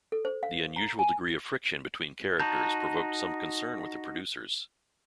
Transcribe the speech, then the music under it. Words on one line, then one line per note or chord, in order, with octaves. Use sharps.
The unusual degree of friction between characters provoked some concern with the producers.
A4
C5
F5
A#5
G#5
D#4 F#4 A5 A#5 G6